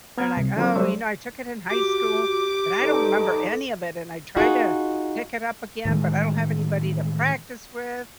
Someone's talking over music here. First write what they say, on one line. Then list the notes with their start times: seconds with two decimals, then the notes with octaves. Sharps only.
They're like, "Oh, you know, I took it in high school, but I don't remember any of it, and I tried to pick it up again, but I don't have anybody to practice with.
0.18 B3 A#5 F6 G#6
0.37 C2
0.57 D3 F#3 C4 D4 F4
0.76 F#3 G3 D4 C5 C#5 E5
1.69 F#4 G4 D6
2.81 G2 D#4 A4
4.37 D#4 F4 F#4 G#4
5.85 A2 D#3 E3 G#3